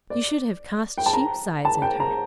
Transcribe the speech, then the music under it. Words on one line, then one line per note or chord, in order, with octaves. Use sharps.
You should have cast sheep's eyes at her.'
D5
G5
A5
A#5
A5
G5
A#5